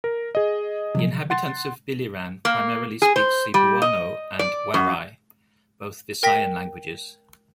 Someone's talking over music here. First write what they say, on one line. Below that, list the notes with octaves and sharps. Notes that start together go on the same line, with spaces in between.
The inhabitants of Biliran primarily speak Cebuano and Waray, both Visayan languages.
A#4
G#4 D#5
C3 F3 F#3
F#5 C6 A6
A#3
G#4
C5
G3
D#5
D5
F#2
A#4 G5 A#6 B6